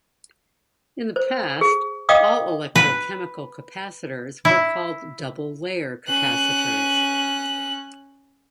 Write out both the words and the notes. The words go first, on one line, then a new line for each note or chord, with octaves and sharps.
In the past, all electrochemical capacitors were called "double-layer capacitors".
C5
G#4
D5 D#5 F5 G5 D6 D#6
B4
E4
C#4 F#6